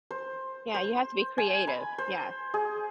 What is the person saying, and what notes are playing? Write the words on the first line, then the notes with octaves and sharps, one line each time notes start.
Yeah, you have to be creative. Yes,
C5
C5
G#5
B5
C5
G#4